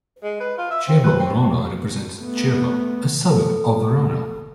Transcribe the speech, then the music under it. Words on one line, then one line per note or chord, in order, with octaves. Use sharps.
Chievo Verona represents Chievo, a suburb of Verona.
G#3
B4
F4
E5
C4
B4
C4
A3 B3
A4